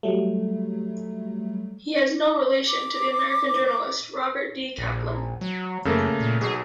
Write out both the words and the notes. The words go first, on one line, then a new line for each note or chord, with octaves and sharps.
He has no relation to the American journalist Robert D. Kaplan.
F#3 G3 A3
D6
A#1
F#3
F#2 C#3 A3 A#3
A#2
B1 B2 G#4 C7